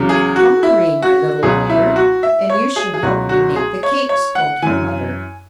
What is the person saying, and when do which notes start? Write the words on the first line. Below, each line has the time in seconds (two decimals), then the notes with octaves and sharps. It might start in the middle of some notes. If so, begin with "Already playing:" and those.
"COME, Mari, my little daughter, and you shall help me make the cakes," called her mother.
Already playing: E2 C#3 F#3
0.09 G#4
0.36 F#4
0.63 E4
1.02 F#4
1.43 C#2 B2 F#3 G#4
1.70 E4
1.96 F#4
2.23 E5
2.50 C#5
2.76 G#4
2.94 G#4
3.02 C#2 B2 F#3 F#4
3.29 F#4
3.56 G#4
3.83 C#5
4.09 C#5
4.35 F#5
4.62 F#2 E3 G#5